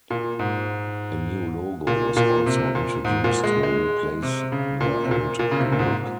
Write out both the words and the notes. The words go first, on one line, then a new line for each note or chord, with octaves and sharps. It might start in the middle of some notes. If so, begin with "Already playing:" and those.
A new logo was also introduced to replace their old look.
A#2
G#2
A#2
A#2
C3
A#2
G#2
A#2
G#3
G#3
C3
C#3
A#2
C3
A#2
A#2
C#3
C3
A#2
G#2